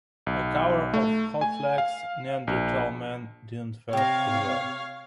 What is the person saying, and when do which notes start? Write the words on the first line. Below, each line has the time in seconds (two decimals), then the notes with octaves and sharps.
A cover of Hotlegs' "Neanderthal Man" didn't fare as well.
0.27 B1
0.94 A3
1.41 G#5
1.78 F5
2.47 A#1
3.93 C3 G4 C#5 F5 A#5